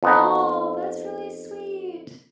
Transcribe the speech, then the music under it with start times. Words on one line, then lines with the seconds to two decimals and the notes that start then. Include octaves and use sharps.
Aw, that's really sweet!
0.03 F2 B3 D#4